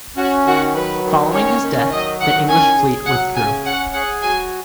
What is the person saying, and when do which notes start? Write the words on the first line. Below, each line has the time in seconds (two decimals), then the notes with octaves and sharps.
Following his death, the English fleet withdrew.
0.17 C#4 F#4
0.46 D#3 F#4
0.75 F#3 B4
1.05 D#3
1.33 C#4 C#5
1.62 D#3
1.91 F#3 D#5
2.20 D#3 F#5
2.49 C#4 G#5
2.78 G#4
3.07 F#3 F#5
3.35 C#3 G#5
3.65 C#4 F#5
3.94 G#4 F#5
4.22 F#3 G#5